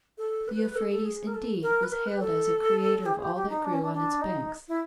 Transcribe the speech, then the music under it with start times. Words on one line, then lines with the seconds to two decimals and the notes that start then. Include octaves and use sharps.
The Euphrates, indeed, was hailed as a creator of all that grew on its banks.
0.18 A4
0.48 B4
0.62 B4
0.76 A4
0.91 A4
1.05 G#4
1.27 A#4
1.34 A4
1.63 A#4
1.83 B4
1.92 A#4
2.06 B4
2.20 A4
3.06 G4
3.14 G#4
3.23 G4
3.35 G4
3.49 D#4
3.64 D4
3.73 C#4
3.82 D4
3.93 D4
4.21 D#4
4.68 E4